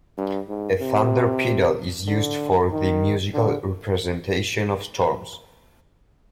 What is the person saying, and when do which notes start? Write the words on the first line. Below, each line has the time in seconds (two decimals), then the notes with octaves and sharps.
A thunder pedal is used for the musical representation of storms.
0.18 G2
0.49 G#2
0.81 C3
2.08 D3
2.71 D#3
3.34 D3